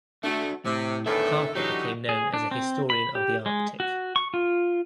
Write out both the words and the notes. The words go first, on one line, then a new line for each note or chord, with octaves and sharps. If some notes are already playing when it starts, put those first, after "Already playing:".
Harper became known as a historian of the Arctic.
A3 D4 F#4
A2 C3
E2 A2 D3 D#3 A4 E5
D3 E3 F#3 D#4 G4
G#4
D4
C4
B5
G4
G#3
F#4
C#6
F4